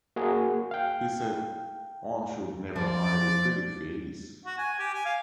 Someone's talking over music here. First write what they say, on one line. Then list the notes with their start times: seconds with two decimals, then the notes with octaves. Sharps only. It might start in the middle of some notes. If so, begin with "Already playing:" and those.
He said: One should never hide a pretty face.
0.16 A#3 F#4 G#4
0.71 F5 G5
2.76 F3 D5
4.45 F#4
4.58 G#5
4.79 G4
4.93 G#5
5.05 F5